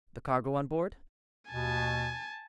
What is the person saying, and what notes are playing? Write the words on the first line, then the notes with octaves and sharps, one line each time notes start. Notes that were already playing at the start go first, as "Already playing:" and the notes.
"The cargo on board?"
D#2 B2 G#5 A5